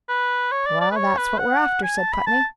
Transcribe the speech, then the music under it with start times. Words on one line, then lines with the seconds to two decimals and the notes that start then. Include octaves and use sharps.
"Well, that's what we're after," said Putney.
0.09 B4
0.52 C#5
0.66 D5
0.81 D5
0.91 B4
0.96 C#5
1.18 B4
1.39 F#5
1.83 G#5
1.98 A5
2.13 B5
2.26 A5